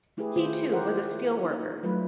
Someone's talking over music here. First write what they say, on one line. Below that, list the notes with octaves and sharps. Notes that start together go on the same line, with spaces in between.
He too, was a steel worker.
A3 E4 G4 G#4 B4
D#3 E4 F4 C5
E4 G4 A#4 C5 C#5 F#5
F4
D#4
F#3 G3 A3 D4 F4 B4